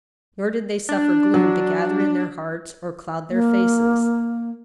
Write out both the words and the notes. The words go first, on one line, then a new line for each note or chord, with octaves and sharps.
Nor did they suffer gloom to gather in their hearts or cloud their faces.
D4
F#3
A#3